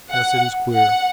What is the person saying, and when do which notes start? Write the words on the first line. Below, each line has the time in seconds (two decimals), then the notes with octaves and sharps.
Yes, it is queer.
0.11 F#5
0.73 F#5